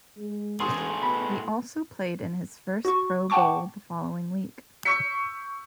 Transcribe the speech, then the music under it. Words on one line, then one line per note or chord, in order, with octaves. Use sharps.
He also played in his first Pro Bowl the following week.
G#3
E1 A2 G#4 C6 D#6
B2 B5
F#4 C#6
F#5 G5 A5 C#6 D6
C#6 E6 G6 B6 C#7